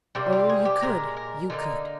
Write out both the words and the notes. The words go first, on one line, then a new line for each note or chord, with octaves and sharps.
"Oh, you could--you could."
C3 G3 A#3
F4
G#4
G4
A#2 G#3 A#4
A#4
D3 F3 A#3 D#4